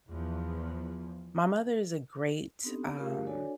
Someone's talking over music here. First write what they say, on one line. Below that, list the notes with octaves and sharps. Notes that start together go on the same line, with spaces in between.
my mother is a great, um,
E2 F3
B3 C4 D4 D#4 G4 A4
A3 F4 G4 G#4 A#4 F5
D4 F#4 A4 C#5 D5 G#5